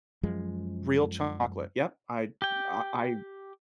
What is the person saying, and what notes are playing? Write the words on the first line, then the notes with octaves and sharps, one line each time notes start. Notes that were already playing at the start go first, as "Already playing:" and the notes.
real chocolate. Yep. I I I
F#2 F3 G#3
G4 G5